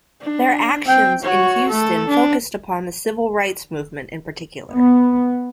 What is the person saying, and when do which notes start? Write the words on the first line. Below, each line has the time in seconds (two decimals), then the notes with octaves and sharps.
Their actions in Houston focused upon the Civil Rights Movement in particular.
0.22 D4
0.86 C4 G5
1.22 F#4 C#5
1.69 A3 A4
2.07 D4
4.72 B3